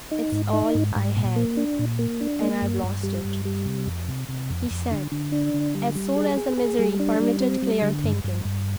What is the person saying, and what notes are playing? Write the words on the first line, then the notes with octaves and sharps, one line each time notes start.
'It's all I had and I've lost it,' he said, as soon as the misery permitted clear thinking.
D#4
G#2
D#4
G#2
G#2
A#2
A#3
D4
A#2
A#3
D4
A#3
G2
G2
G3
G2
G3
C3
F2
C3
C3
F2
F2
D3
D3
D4
D3
G3
G3
G#4
G#4
G#4
G3
D4
G3
C4
G3
D3
G2
G2
G2